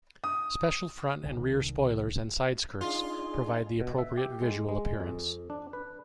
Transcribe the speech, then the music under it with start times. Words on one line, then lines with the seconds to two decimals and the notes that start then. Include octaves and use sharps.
Special front and rear spoilers and side skirts provide the appropriate visual appearance.
0.24 D#6
1.24 C2 D#3
2.81 D4 D#4 F4 G#4
3.81 B2
3.98 E5
4.17 G4
4.42 G#3
4.69 G#3
5.00 F2
5.50 D4
5.73 B4